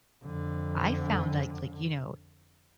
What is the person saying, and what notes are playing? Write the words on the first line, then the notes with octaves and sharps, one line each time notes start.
I found, like like, you know,
F2 D3